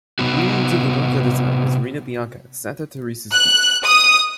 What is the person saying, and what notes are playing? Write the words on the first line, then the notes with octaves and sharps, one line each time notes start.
Immediately to the north of the town is Rena Bianca, Santa Teresa's beach.
C3 B3 D#4 F#4
F#6
D#6